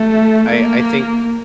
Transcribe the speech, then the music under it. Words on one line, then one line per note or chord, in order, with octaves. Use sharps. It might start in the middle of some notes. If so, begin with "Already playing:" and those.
I I think
Already playing: A3
A#3